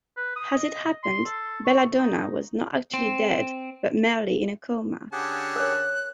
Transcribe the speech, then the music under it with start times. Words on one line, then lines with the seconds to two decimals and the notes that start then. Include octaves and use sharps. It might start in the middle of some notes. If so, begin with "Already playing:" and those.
As it happened, Bella Donna was not actually dead, but merely in a coma.
0.17 B4
0.36 D#6
0.55 D#5
1.03 C6
1.25 A4
1.65 C#6
1.98 D#4
2.94 C4
5.13 D3 C#4 G4 G#4 F#5 A5
5.56 A#4 C#5 F#6